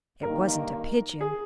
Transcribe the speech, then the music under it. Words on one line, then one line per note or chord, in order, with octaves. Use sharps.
It wasn't a pigeon.
G2 D#3 A#3 D#4 A#4
G#4